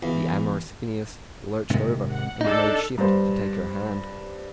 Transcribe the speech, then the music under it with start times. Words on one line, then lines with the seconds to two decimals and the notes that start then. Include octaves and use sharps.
The amorous Phineas lurched over, and made shift to take her hand.
0.03 E2
1.70 G#2 C3 D#3
2.11 F#5
2.41 D4 D#4 A4
2.98 G2 C5